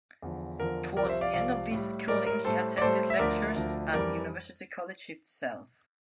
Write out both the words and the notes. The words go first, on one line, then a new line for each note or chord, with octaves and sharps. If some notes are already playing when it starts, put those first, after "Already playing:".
Towards the end of his schooling he attended lectures at University College itself.
E2 D3 F3
E2 D3 F3 A#4
C2 C3 F3 A#4 D5
C5 E5
D5 F5
C2 C3 F3 D5 F5
A2 G3
A2 G3 A#4 D5
A#4
A2 G3 A4 C5
D5
A2 G3 A4 C5
E5
D2 D3 F3 A#4 D5
D2 D3 F3
F2 E3 G3 A#4 D5